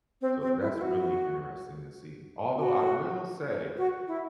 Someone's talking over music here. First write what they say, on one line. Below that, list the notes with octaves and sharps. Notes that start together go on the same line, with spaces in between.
So that's really interesting to see. Although I will say
C4
C4
E4
E4
F#4
F#4
F#4
E4